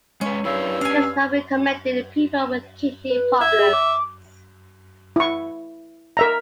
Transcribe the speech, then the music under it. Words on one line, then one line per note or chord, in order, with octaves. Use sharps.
It is not recommended in people with kidney problems.
G#3 C#4 B4
G2 E4 C#5 F5 E6
C#4 D4 F5 G#5
B4
E5 G#6
G#4
D6
E4 C#6
A#4 E5 A#5